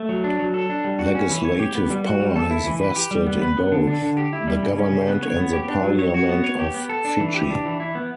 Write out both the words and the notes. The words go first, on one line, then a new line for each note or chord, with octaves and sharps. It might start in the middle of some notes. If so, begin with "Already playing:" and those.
Legislative power is vested in both the government and the Parliament of Fiji.
Already playing: A3
F#3
D4
F#3
A4
D4
G3
F#4
C#4
E3
C#5
G4
B3
G3
F#4
G3
A4
E4
E3
B4
G4
G3
B3
B4
B3
D3
D4
D3
G4
E4
G3
C#3
C#4
C#3
B3
C#5
B3
G4
D4
F#3
C#5
F#4
B3
C#5
G4
B3
A4
D4
E3
G4
D4
E3
E4
B3